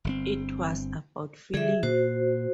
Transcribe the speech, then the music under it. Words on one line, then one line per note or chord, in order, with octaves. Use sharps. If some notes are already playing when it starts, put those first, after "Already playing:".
It was about feeling.
G1 D3 C4
D3 G3 G#4 E5
A#2 F#4 C5